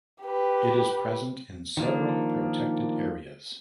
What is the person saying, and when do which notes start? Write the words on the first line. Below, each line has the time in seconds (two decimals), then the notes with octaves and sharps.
It is present in several protected areas.
0.23 G4 B4
1.77 D#3 F3 A#3 D4